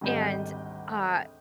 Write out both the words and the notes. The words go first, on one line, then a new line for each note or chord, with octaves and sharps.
And, uh,
G#1 D2 G3 D#5 B5 G6